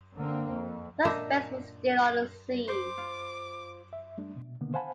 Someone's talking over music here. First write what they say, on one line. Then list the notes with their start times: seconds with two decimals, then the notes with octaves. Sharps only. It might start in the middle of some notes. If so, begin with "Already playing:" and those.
Suspects were still on the scene.
0.17 D3 A#3 C4
0.51 F2
1.05 A#2 D4 D#4 D#5 E5 A#5
2.68 C5 D6
2.97 F4
3.93 E5
4.18 G3 A3 D4
4.36 B2
4.61 B2 D3 D#3 A#3 B3
4.74 C5 F5 F#5 G#5 A5 B5